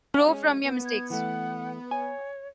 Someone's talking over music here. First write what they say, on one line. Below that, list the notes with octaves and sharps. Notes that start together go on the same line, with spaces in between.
You grow from your mistakes.
G#3 C#4
B3
G#6
E3 A3 F#5
C#5 G#5